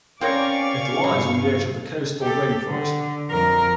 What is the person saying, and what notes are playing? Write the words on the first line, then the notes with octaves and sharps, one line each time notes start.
It lies on the edge of the coastal rainforest.
C4 C#4 A#4 C#5 D5 F5 C#6
G2 B2
G4 A4
D3
F2 A#4